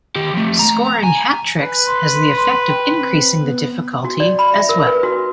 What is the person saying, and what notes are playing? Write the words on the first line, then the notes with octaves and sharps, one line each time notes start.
Scoring hat tricks has the effect of increasing the difficulty as well.
D#3 G4
F3 A3
A#5
G#5
B4
C6
G5
C4
B3
F#4
D5
B5
E5
A#4
B4
F#4